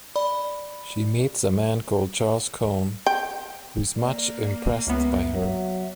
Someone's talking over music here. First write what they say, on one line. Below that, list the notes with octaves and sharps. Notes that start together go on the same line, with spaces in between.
She meets a man called Charles Cohn who is much impressed by her.
D5 B5
G5
A#3 D5
C#2 B3 E5
F#3